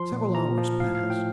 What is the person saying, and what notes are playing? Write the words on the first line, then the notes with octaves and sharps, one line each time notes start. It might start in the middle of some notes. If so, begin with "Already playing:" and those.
Several hours passed.
Already playing: F3 C6
A#2
F3 A#5
F3
A2 F5
F5
A2
G5